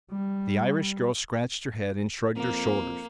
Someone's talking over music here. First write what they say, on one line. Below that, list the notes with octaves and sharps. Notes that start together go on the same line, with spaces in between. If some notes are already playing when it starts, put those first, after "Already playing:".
The Irish girl scratched her head and shrugged her shoulders.
G3
F2 A#3